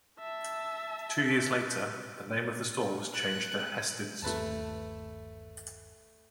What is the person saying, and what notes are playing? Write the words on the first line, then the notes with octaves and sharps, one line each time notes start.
Two years later, the name of the store was changed to Hested's.
E5 A5
F#6
G1 D#2 A3 B4 A5